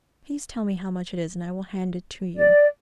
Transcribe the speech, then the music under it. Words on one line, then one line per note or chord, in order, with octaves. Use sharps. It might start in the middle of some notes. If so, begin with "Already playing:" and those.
Please tell me how much it is and I will hand it to you.
D5